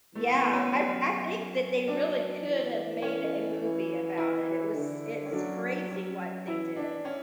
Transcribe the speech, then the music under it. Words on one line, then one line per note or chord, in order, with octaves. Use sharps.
Yeah. I r I think that they really could have made a movie about it. It was it's crazy what they did.
E3 A3
B3
C#4
F#3 C#4
D4
E3
C#4
E3
E4
D3
C#4
F#3 D4
F#3 C#4
E3 E4
D4
C#4